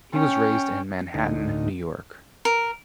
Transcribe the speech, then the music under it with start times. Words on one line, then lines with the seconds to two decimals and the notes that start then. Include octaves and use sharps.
He was raised in Manhattan, New York.
0.13 C#4 G5
1.14 D2 A2 D#4
2.45 A#4